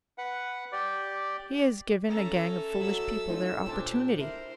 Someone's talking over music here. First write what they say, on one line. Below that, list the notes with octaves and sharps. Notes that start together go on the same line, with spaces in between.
He has given a gang of foolish people their opportunity.
B4 F#5
G4 D5
C#4 A4 E5 A#5
F#3 E6
C#4 D#4 F4
A#2 D4 G4 C5 A5
E4 A#4 C5